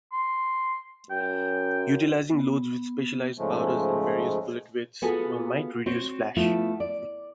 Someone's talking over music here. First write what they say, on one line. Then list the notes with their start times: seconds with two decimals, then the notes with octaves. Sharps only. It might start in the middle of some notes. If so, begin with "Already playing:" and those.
Utilizing loads with specialized powders and various bullet weights might reduce flash.
0.13 C6
1.10 F#2 G5
2.31 B3
3.38 G#2 C#3 F3 G#3 A3
5.02 B3 F4 F#4 G#4 A4 B4
5.86 C4 F#4 C5 C#5
6.36 F3 A3 B3 E4 F4
6.80 D5